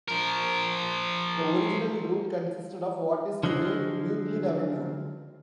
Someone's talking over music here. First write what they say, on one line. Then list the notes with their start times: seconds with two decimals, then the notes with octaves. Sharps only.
The original route consisted of what is today Euclid Avenue.
0.08 F3 A#4
3.43 D3 F3 F#3 G#3